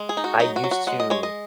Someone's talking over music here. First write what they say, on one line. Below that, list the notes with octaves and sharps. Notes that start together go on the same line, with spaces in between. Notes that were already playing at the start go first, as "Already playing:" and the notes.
I used to
Already playing: G#3
G#4
D#4
F#4
F#3 D#4
F#4
F#3
F#4
G#3 F#5
D#5
G#3 C#5
D#5